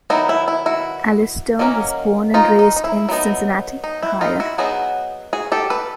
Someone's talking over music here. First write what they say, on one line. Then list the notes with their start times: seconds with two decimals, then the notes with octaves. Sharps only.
Alice Stone was born and raised in Cincinnati, Ohio.
0.10 D#3 F#3 B3 D#4 E4 F#4
0.29 E4
0.48 E4
0.66 E4 F#4
1.59 D#3 F#3 A#3 C#4
2.34 D#4 F4
2.59 D#4
2.76 D#4
2.84 E4
3.09 F#3 B3 D#4
3.84 D#4
4.03 E4
4.21 D#4 F4
4.40 E4 F#4
4.58 F#3 B3 D#4 F#4 G#4
5.33 F#4 G#4
5.52 G4 A4
5.70 A4 B4